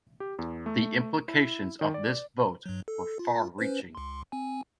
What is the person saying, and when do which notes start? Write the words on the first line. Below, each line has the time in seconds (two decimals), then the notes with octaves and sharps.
The implications of this vote were far-reaching.
0.20 G4
0.39 E2
0.66 A3
1.28 E4
1.81 D#3
1.94 D5
2.66 G2 F#3
2.88 A4
3.19 F4
3.58 C#4 B4 C5
3.95 C#2 C6
4.32 C4 G#5